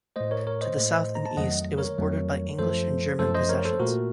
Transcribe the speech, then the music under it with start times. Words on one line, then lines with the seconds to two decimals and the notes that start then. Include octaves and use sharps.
To the south and east it was bordered by English and German possessions.
0.16 A2 A3 C5 D#5
0.31 A#4 C#5
0.47 A#4 C#5
0.61 C5 D#5
0.76 A2 A3
1.15 A#5
1.26 A5
1.37 F2 D#3 F#3 A3 D#5 F#5
1.78 A#4 C#5
1.98 F2 D#3 F#3 A3
2.59 F#2 F3 A3 A4 C5
3.19 F#2 F3 A3 A4 C5
3.35 C5 D#5
3.49 A#4 C#5
3.65 A4 C5
3.80 A#2 A3 F#4 A#4